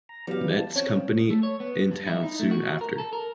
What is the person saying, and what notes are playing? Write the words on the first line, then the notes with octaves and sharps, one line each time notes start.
Metz Company in town soon after.
A#5
E3 F#3 G3 B3 F5
A5
D#3 F3 C4 C#4 C#5
A3
C#5
B3
G2
E4
D#4
A3
F#4
A#4
A4
A#4